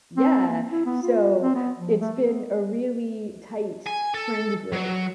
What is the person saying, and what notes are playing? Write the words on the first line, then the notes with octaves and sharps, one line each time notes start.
yeah, so it's been a really tight friend group.
C4
A#3
E4
B3
F4
C4
B3
F3
A3
B3
G#5
A4
F#3